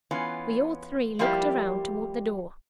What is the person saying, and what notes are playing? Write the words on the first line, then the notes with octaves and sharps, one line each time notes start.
We all three looked around toward the door.
E3 B3 C#4 F4
F3 G3 A#3 E4 G4 D5